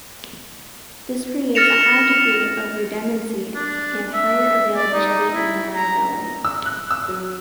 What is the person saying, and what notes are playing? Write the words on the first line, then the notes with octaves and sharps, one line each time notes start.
This creates a high degree of redundancy and higher availability and reliability.
F6 A6 A#6 C#7 E7 F7
D4
E5
D5
D#4
E4
A#5
E6
F#6
E6
F#3